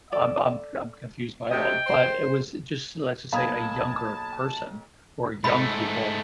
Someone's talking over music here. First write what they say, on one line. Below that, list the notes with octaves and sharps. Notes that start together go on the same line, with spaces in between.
I'm I'm I'm confused by it all but, it was just let's just say, a younger person, or young people,
A4 D5
D2 C3 D#5 G5
C5
B1 A#3 F5 A5 B5 D#6 G#6
G#2 A3 F4 B5